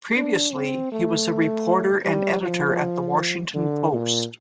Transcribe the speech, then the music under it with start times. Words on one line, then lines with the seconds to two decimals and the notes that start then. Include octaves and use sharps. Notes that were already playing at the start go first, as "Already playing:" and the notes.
Previously, he was a reporter and editor at "The Washington Post".
0.17 D4
0.53 C4
0.92 A3
2.05 G3
2.42 F3
3.54 D3
3.92 A#2